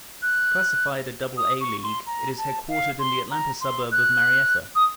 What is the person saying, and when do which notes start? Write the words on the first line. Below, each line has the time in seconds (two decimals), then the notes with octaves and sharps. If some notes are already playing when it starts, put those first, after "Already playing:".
Classified a Double-A league, it is headquartered in the Atlanta suburb of Marietta.
0.22 F#6
1.37 D#6
1.61 C#6
1.83 C6
2.07 A#5
2.38 A5
2.69 F5
2.99 C6
3.31 A#5
3.61 C6
3.92 F#6
4.75 D#6